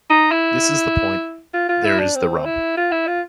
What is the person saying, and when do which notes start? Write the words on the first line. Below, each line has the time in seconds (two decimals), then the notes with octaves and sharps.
This is the point. There's the rub.
0.10 D#4
0.31 E4
1.54 F4
1.69 F4
1.84 E4
1.99 D4
2.15 C4
2.46 E4
2.77 F4
2.91 E4
3.07 F4